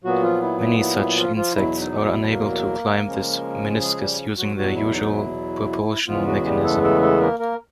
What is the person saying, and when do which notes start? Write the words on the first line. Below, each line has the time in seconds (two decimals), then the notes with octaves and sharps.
Many such insects are unable to climb this meniscus using their usual propulsion mechanism.
0.04 A#2 F#3 B3 F#4
0.23 F3 F4
0.42 E4
0.61 E4
0.79 E4
0.98 E4
1.17 F3 F4
1.36 F3 F4
1.55 E2 B2 F#3 E4
1.80 D#4
2.06 E4
2.31 A#3 A#4
3.06 C#3 F3 G#3 C#4
3.81 G#3 G#4
4.00 G3 G4
4.38 F#3 F#4
4.56 E2 B2 F#3 F#4
4.75 E4
4.94 D#4
5.13 E4
6.07 E2 C#3 E3 F3 G#3 B3 F4
6.26 F#3 F#4
6.45 G3 G4
6.64 A3 A4
6.83 A3 A4
7.02 A3 A4
7.21 A#3 A#4
7.40 A#3 A#4